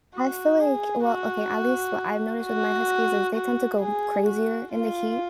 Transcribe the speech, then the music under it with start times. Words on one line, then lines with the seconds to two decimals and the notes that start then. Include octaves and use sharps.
I feel like well, okay, at least what I've noticed with my huskies is they tend to go crazier in the heat,
0.15 F#4
0.59 G#4
1.06 F#4
2.44 F#4
3.35 F#4
3.81 G#4
4.27 F#4
4.73 F4